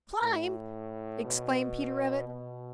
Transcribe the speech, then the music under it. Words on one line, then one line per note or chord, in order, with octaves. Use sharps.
"Climb!" exclaimed Peter Rabbit.
A2
B2
B2